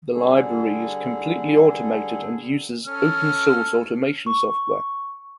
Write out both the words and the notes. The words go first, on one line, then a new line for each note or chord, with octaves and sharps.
The library is completely automated and uses open source automation software.
D3 G3 G#4 A4
C#4 A4 F6
C#6